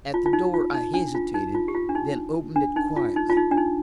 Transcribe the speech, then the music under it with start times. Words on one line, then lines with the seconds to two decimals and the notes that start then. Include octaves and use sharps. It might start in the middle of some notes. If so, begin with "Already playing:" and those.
At the door I hesitated, then opened it quietly.
0.14 F4
0.26 F4
0.33 D#4
0.54 F4
0.74 D#4
0.94 D4
1.15 F4
1.34 D#4
1.54 F4
1.68 G4
1.74 F4
1.89 D4
1.95 D#4
2.56 D4
2.76 D#4
2.96 F4
3.16 D#4
3.30 F4
3.37 D#4
3.51 D4
3.57 D#4